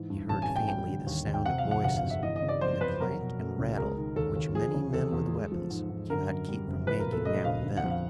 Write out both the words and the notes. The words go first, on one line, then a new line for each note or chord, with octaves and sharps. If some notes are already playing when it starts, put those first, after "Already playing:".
He heard faintly the sound of voices, and the clank and rattle which many men with weapons cannot keep from making now and then.
Already playing: G#2 E3
G2
A1 A5
G#5
A1
G5
G3 G5
D3
D#2
D#2
G5
C3 F#5
F5
F2
F#5
G1 F#5
F5
G1
E5
E3 D#5
D#5
C#3
D5
F2 C5
F2 B4
F#3 A#4
B2
A3
C#2
G#3 A#4
D#3
D#2 A4
D#2
F3 G#4
C#3
E2 A4
E2
G#3
F3
G#2
G#2
D3 A#4
F#2
G3
F#1
F3 B4
A#4
A#2
A4
A3 D#5
A#1 F5
D3
F#5
F2
F5